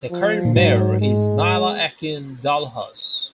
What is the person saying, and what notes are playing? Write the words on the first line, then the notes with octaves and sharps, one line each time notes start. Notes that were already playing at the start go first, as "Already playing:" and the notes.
The current Mayor is Nyla Akin Dalhaus.
F3
A#2
G#2 F#3
G#3